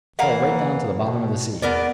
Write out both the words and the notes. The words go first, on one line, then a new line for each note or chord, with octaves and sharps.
It fell right down to the bottom of the sea.
E3 A#3 F5 F#5
B2
E2 B3 A#4 D5